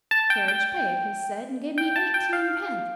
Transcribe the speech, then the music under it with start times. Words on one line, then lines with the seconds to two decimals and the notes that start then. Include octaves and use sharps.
'Carriage Paid,' he said; and gave me eighteen-pence.
0.11 A5
0.30 G5
0.48 G5
1.78 G5
1.96 A5
2.14 G5
2.33 F5